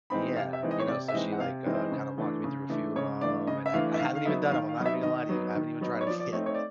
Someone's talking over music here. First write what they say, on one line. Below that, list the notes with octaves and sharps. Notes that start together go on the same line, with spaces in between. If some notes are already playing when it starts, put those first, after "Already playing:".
Yeah, you know? So, she, like, uh, kinda walked me through a few of 'em, and I I haven't even done 'em, I'm not even gonna lie to you, I haven't even tried 'em yet.
E3 G#3 C4 D#4 B5
C3 F5
E5
E3 G#3 C4 D#4
D#5
C#5
C3 D5
E5
E3 G#3 C4 D#4 D#5
F#5
C3 F5
E3 G#3 C4 D#4
C5
C#3
E3 A3 D4
C#3
E3 A3 D4
C#3 C#5
E3 A3 D4 D5
C#3 D#5
E5
E3 A3 D4 F5
E5
D#3 F5
F5
F#3 B3 D#4 E5
D#3 F5
F5
F#3 B3 D#4
E5
D#3 D#5
F#3 B3 D#4
D#3
F#3 B3 D#4
C#5
F3 D5
D5
A3 C4 D#4 C#5
C#5
D5